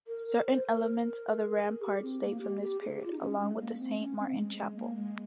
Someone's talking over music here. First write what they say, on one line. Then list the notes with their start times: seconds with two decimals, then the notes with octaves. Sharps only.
Certains elements of the ramparts date from this period, along with the Saint-Martin chapel.
0.07 A#4
0.27 A#4
0.46 C5
0.66 A#4
1.63 G#4
1.83 G4
2.02 C4
2.23 A#3
2.41 G4
2.62 G4
2.81 G#4
2.98 G4
3.05 F4
3.12 D#4
3.20 C#4
3.39 G#3
3.59 A#3
3.78 C4
3.98 C#4
4.18 C4
4.37 G#3
4.57 G#3
4.76 A#3
4.96 G#3